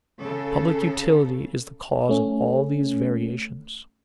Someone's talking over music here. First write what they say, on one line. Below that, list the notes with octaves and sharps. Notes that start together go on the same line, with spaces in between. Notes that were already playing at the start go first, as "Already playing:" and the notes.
Public utility is the cause of all these variations.
C#3 A4
A3 C#4